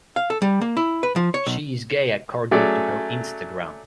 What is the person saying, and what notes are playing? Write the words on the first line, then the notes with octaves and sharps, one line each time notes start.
She is gay according to her Instagram.
F5
A4
G3
A#3
E4
B4
F3
C#5
B1
F#3 A3 C#4 G#4 D5